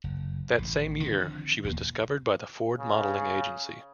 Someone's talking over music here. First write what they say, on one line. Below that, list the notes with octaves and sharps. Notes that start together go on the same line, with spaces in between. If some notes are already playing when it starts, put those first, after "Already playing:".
That same year, she was discovered by the Ford modeling agency.
F#1
A1
D3 D#3 F3 C4
D#1 E2 A#3
C#3